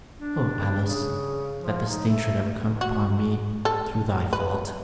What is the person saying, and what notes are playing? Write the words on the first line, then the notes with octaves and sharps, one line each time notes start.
"Oh, Alice! that this thing should have come upon me through thy fault!"
D4
C#3
F3
D#4
A3
F#4
A4
B4